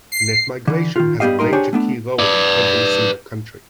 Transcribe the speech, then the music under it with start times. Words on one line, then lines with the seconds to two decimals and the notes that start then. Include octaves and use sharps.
Net migration has a major key role in every single country.
0.12 C7
0.68 D3 E3
0.96 D#3 F4
1.20 G3 B3 G4 D#5 F5
1.39 G2 D#4 A#4 C6
1.53 D4 G4 G#4 C5 C#5
1.73 A3 B3 D4
2.19 B4 D5